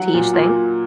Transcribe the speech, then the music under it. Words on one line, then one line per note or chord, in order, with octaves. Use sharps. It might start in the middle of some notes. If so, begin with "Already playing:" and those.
to each thing?
Already playing: F#3 F#5
A#2
A#2